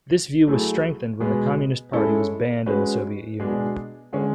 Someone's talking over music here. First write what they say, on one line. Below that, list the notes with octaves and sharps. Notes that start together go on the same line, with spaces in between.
This view was strengthened when the Communist Party was banned in the Soviet Union.
F#3 A3 E4 G#4
B2 G#3 B3
G#3 C#4 E4 A4
G#3 C#4 F#4 B4
B2 G#3 D4 G#4
D3 G#3 C#4